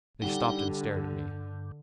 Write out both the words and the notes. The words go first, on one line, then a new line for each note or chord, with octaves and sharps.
They stopped and stared at me.
D3 G3 D#4 F#5 G5
G2